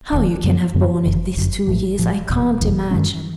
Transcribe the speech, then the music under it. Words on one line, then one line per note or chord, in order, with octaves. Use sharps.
How you can have borne it this two years I can't imagine.'
E1 D#2 D#3
F#2 D3 F#3 B3
F#2 D3 F#3 B3
G1 F#2 D3
G1 F#2 D3
A1 A2 F3
A1 A2 F3
F#1 E2 B2
F#1 E2 B2
G2 D#3 G#3 C#4